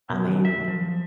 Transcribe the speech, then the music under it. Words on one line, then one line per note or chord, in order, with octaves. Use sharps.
I mean,
B2
D#3
E5
F3